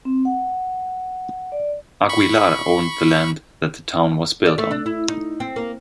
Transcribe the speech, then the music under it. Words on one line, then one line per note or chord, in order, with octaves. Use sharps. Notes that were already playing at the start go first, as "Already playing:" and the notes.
Aguilar owned the land that the town was built on.
C4
F#5
D5
B5 C#6
D5
A3
D4
E4
D#4
C4
A#3